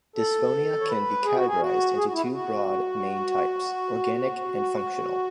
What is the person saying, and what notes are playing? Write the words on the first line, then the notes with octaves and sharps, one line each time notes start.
Dysphonia can be categorized into two broad main types: organic and functional.
A4
C#5
B4
G#4
F#4
G#4
F#4
G#4
F#4
E4
F#4
F#4